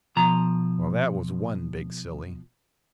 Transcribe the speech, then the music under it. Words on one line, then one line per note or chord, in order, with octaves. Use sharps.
Well, that was one big silly.
B2 F3 A#5